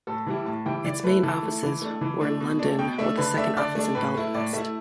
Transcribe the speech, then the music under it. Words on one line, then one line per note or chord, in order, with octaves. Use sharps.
Its main offices were in London, with a second office Belfast.
A2 A4
E3 G3 E4
A2 A5
E3 G3 E4 G5
E3 D5
A3 E4 B4
E3 A4
A3 E4
E3
A3 D4
E3
A3 D4
B2
A3 D4
B2 G5
A3 D4 E5
D3 B4
A3 D4 E5
D3 D5
A3 D4
A2 B4
A3 E4
A2 D5
A3 E4 E5